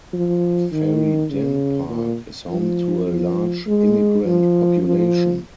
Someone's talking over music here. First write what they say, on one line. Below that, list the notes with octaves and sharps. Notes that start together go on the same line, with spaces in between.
Ferryden Park is home to a large immigrant population.
F3
D#3
C#3
A#2
F3
F3
G#3
F3
F3